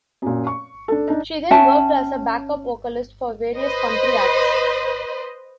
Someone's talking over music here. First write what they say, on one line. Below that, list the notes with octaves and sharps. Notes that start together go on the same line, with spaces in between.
She then worked as a backup vocalist for various country acts.
F#2 A#2
C#6
D4 A4
D4 D#4
C#4 E5 G5 A5
B4 C5 D#5